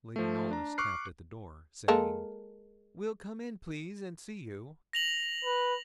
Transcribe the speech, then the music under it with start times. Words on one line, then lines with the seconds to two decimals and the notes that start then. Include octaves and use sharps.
Lady Knollys tapped at the door, saying--'we'll come in, please, and see you.
0.16 F3 A3
0.51 D4 A#5
0.78 C#6 D6 F6 F#6 C7
1.88 G#3 A#3 A4
4.93 A#6 F7 F#7
5.45 B4